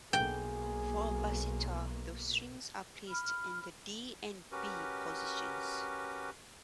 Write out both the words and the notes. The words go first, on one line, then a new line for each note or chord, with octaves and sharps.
For a basitar, the strings are placed in the D and B positions.
B1 A#3 G#4 G5
B5 F6
C#4 F#4 G4 A#4 B4